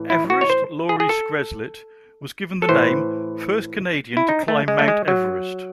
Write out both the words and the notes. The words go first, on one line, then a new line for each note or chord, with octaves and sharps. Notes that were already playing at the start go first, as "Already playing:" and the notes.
Everest Laurie Skreslet was given the name first Canadian to climb Mount Everest.
Already playing: A2 E3
E4
F#4
C#5
C5
G#4
G#4
A4
A4
A2 E3 C5
E4
D#4
A3
G#3
A3
G#3
F#3